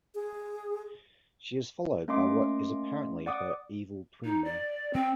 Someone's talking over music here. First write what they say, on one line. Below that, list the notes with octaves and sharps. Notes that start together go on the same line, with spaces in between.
She is followed by what is apparently her evil twin.
G#4
A3 A#3 C#4 D#5 C6 D6
D5 F#5 D6 D#6
D#4
D5
C4